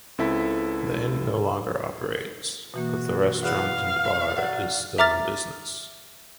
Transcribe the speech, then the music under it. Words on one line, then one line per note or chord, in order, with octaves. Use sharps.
The inn no longer operates, but the restaurant and bar is still in business.
C#2 C4 E4 A4 B6
B2 E3 A#3 F#4
E2 B3 F5 F#5
F#3 D5
E5 A#5 D6 F6 A6